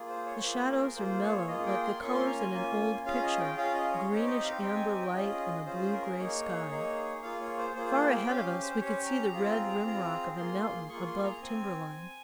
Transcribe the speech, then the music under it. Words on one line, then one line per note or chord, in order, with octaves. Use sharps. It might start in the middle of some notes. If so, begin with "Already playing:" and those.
The shadows are mellow, like the colors in an old picture--greenish amber light and a blue-gray sky. Far ahead of us we could see the red rim rock of a mountain above timber line.
Already playing: A#3 F4 G#4
C5
C#5
A#3 F4 G#4 C5
A#4
A#3 F4 G#4 C5
C#5
A#3 F4 G#4 D#5
G5
C6
A#3 C#4 F4 C#6
C6
A#5
G#5
A#3 C#4 F4
C#4 F4 G#4 F5
D#5
G5
C#4 F4 G#4 F5
D#5
C#5
C4 D#4 G4 C#5
D#5
F5
C4 D#4 G4 G5
G#5
G#5
G5
C#4 F4 G#4 D#5
C#4 F4 G#4 C5
A#4
A#3 D#4 G#4 C#5
A#3 D#4 G#4
A#3 F4 G#4 F5
C#5
C5
A#3 F4 G#4 C5
C5
G5
C#4 G4 F5
C5
C#4 G4 C#5
A#5
C4 F4 G#4
C4 F4 G#4
A#3 F4 G#4 C6
A#3 F4 G#4 C#6
C6
A#5
C4 G#5